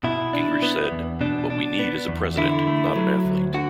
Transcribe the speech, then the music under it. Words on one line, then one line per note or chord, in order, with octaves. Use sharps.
Gingrich said: What we need is a president, not an athlete.
B2 E4
D4
B3
E2
B2 D4
D4
B3
E2
D3 E4
A3
F#3
D2
D3 F#4